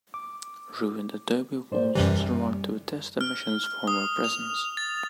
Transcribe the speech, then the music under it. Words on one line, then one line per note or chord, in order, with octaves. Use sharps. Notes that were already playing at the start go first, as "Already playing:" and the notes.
Ruined adobe walls survive to attest the mission's former presence.
D6
G#2 C5 D5
F#2 C3 E3 G3
F6
D#6
F7
A6